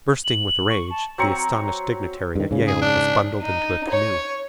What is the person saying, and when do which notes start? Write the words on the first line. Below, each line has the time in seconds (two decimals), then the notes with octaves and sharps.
Bursting with rage, the astonished dignitary at Yale was bundled into a canoe.
0.25 F#7
0.69 C#6
0.90 A5
1.18 F#3 C4 A#5 C#6
2.36 G2 D#3
2.51 G#2 C#3
2.68 G#4
2.82 D4
3.42 D#4
3.89 C#5